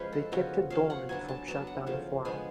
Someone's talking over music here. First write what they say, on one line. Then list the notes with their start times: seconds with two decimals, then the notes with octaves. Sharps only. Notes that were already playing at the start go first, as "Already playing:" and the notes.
They kept it dormant from shutdown of Wow!
Already playing: F3 G#3 C#4 B4 C#5
0.13 A4
0.32 C#3 F3 B3 F#4
0.70 F3 A3 C#4 F5
0.90 F#5
1.09 F#3 B3 D4 G#5
1.28 A5
1.48 F#3 B3 D4 A5
1.67 F#5
1.86 C#3 F3 A3
2.25 F3 G#3 B3 D4 G#5